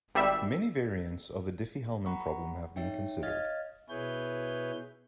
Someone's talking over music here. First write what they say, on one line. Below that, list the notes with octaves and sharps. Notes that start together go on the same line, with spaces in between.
Many variants of the Diffie-Hellman problem have been considered.
G#1 G3 E5
F#5 A#5 B5 C#6
D#4 C#5 E5 G5
C#5 D#5 F5 F6 G#6 A6
B2 E4 G#4 B4 C#5 G6